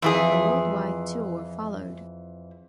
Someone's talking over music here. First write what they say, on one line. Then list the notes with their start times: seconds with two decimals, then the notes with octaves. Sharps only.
A worldwide tour followed.
0.02 F2 E3 G#4